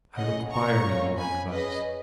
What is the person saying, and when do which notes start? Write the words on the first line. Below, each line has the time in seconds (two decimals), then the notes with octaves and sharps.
"I require no more advice."
0.17 C#4 G#4 D#5 F#5
0.50 A#5 C#6
0.83 A#3 C#4 F4
1.17 G#5 B5
1.50 C#4 G#4 B4 D#5